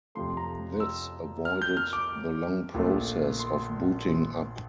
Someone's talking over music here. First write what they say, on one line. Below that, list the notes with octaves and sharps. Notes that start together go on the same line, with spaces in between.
This avoided the long process of booting up.
F2 C3 F3 A3 C6
A#5
E6
F6
G6
F6
D6
A#1 A#2 A3
C6